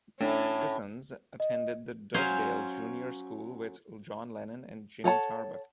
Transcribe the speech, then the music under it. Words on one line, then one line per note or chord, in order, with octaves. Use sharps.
Sissons attended the Dovedale Junior School with John Lennon and Jimmy Tarbuck.
A2 A3 C#4 D4 E4
D#5
F#3 C#4 C5 F5 G#5 C6
A4 C#5 F#5 A5